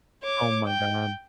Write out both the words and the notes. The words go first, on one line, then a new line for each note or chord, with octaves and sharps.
Oh my god.
C#5 D6
G5